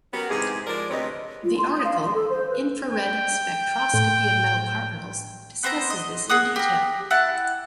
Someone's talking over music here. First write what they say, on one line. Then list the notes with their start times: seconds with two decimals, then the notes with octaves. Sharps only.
The article infrared spectroscopy of metal carbonyls discusses this in detail.
0.13 F#3 B3 C#4 F#4 G4 A#4
0.29 G#2 C3 E3 G4 G#4
0.67 F3 G#3 A#4 D5
0.89 D2 C3 C4 C#4 B4 D#5
1.44 F4
1.57 C6
1.73 D#6
1.85 F5
1.99 C6
2.14 A4
2.30 C5
2.49 B4
2.92 G5
3.94 A2
5.63 B3 C4 C5 A#5
5.90 D#5
6.30 G#4 A#4 F#5 D#6
6.56 G4 A#4
7.11 E4 F#5 A5